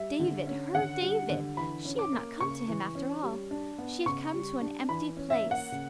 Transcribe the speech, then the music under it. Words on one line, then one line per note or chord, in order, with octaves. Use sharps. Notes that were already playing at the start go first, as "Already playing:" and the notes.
David--her David--she had not come to him after all; she had come to an empty place.
Already playing: G3 E5
D3
C#4
D3 F#5
G3
D3
E3 B5
C#4
D6
A#3
C#3 C#6
E3
C#4
G3
D4
B3
C#3 C#6
G3
D4
E3 B5
C#4
E5
A#3
F#5
C#3